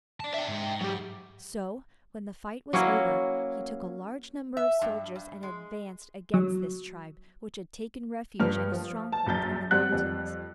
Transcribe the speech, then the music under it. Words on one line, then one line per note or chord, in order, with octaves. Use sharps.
So, when the fight was over, he took a large number of soldiers and advanced against this tribe which had taken refuge in a stronghold in the mountains.
D5 A5
E5 G5
G#2
F#3 G4
F#3 A#3 C#4 E4
E5
G2
G2
G#3
F#3
G2 F3 F6
F3
A5
A#1 F#2 G6 A6
F#2 G3 C4 F#5 F#6
F2 G3